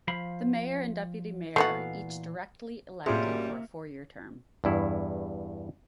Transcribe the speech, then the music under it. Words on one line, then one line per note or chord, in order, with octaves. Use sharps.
The Mayor and Deputy Mayor are each directly elected for a four-year term.
F3 F5 B5
A#2 E3 A3 B3 F#4 F5
F#2 A2 C3 G3 A#3 F4 G#4
E2 G2 E4